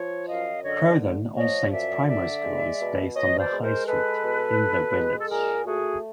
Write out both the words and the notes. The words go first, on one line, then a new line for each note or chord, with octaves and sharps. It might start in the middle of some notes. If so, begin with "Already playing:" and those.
Croughton All Saints Primary School is based on the High Street in the Village.
Already playing: F3 C#5
F#2 D#5 F5
D3 C#5 D#5
A3
F3 C#5 D#5
F#2 D5 E5
D3 D5 E5
G#3
B2
B2 C#5 D#5
C5 D5
G#3
A#4 C5
G#3 A4 B4
B2
B2
G#3
A4
A#2 G#4 A#4
A3 F#4 G#4